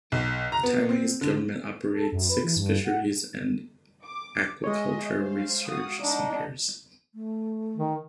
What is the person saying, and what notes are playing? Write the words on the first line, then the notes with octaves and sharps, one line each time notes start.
The Taiwanese government operates six fisheries and aquaculture research centers.
B1
A#5
B3
C4
D3
A4
F#2
B4
E3
G2
F#5
D6
G#3 C#5 D#5 E5
C5 F5
F#4 F5 D#6
D4 D#4 D#5 F#5
A3
D#3